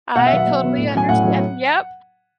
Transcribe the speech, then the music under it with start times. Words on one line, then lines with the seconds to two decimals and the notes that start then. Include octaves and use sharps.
I totally understand yep.
0.16 B2 F#5
0.26 E5
0.32 F#3 B3 F#5
0.46 B2
0.63 F#3 B3
0.77 A2
0.94 F#3 C#4 G#5
1.09 A2 F#5
1.23 F#3 C#4